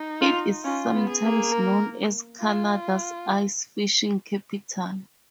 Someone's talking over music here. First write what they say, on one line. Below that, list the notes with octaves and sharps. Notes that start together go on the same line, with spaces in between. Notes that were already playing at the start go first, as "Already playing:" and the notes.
It is sometimes known as Canada's ice fishing capital.
Already playing: D#4
F4
C#4 F4
B3
G#4
A#3
A#4
F4